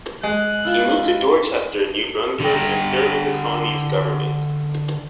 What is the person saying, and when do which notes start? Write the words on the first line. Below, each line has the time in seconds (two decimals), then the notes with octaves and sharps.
He moved to Dorchester, New Brunswick and served in the colony's government.
0.24 G#3 F#6
0.65 E4 F4 A5
2.40 D3 D4 G5